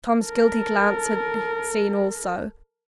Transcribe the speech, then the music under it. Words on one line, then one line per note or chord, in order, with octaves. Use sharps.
Tom's guilty glance had seen also.
A4 A#4